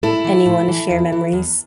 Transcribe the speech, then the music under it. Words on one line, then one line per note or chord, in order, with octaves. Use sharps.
anyone to share memories.
A2 E4 A4
E3
A2
E3
E2
E3
E2